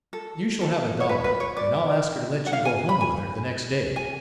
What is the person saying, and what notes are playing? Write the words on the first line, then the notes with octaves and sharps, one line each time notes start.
You shall have a dollar, and I'll ask her to let you go home with her the next day.
A4
A4
C#5
B4
B4
C#5
D5
F#5
F5
G#5
B5
G#5
G#5